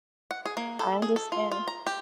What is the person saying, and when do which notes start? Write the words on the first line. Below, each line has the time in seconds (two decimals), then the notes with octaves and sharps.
I understand.
0.31 F#5
0.45 G#4
0.57 A#3
0.79 A4
1.02 G#4
1.16 A4
1.32 F4
1.51 F4
1.68 A#5
1.87 G4